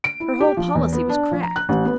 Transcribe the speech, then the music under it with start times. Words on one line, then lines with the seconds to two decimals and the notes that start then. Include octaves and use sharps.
Her whole policy was cracked.
0.04 D7
0.20 E4
0.40 G4
0.57 F3
0.75 E2
0.93 B3
1.09 D4
1.31 F3
1.43 A#5
1.56 F#6
1.69 A1
1.85 B3